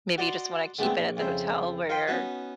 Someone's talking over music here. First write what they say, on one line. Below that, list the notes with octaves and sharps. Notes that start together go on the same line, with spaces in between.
maybe you just wanna keep it at the hotel where you're
F#4 D5 D#5 F#5 A#5 C6
D3 G#3 A3 B3 C4
A#1
F2 C#3 E4 C5
F4 A#4 C5 D#5 G5
B3 C#4 D#4 F#4 B4